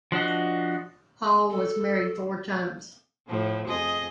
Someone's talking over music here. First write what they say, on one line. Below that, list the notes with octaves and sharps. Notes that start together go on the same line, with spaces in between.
Hall was married four times.
F3 D4 F#4 D#5
A4
A2 F3 A3
F2 G#4 D#5